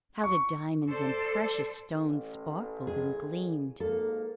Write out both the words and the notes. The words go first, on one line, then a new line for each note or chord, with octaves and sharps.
How the diamonds and precious stones sparkled and gleamed!
C#6
A4 C5 D5
A1
G#4
G#1 A#3 A4